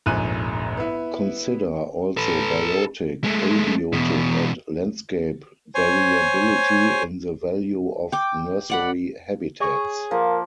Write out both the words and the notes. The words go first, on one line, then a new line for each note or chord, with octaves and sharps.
Consider also biotic, abiotic and landscape variability in the value of nursery habitats.
F1 A#1 G#2 G#5 F#6 D#7
B3 E4
A4 B4
G#3 A3
E2 B2
C5 C#5 G#5
G5 D6
D5 F#5 B5
G#4 C#5
F3 A#3 A#4